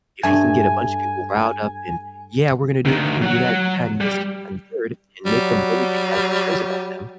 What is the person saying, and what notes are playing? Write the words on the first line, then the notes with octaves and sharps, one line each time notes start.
if he can get a bunch of people riled up and, "Yeah, we're gonna do this, we're gonna do that, do that and this and third," and make them really think that he cares about them,
G2 A3 G#5
D2 D#3
F#3 F#5
G3
F#3 G3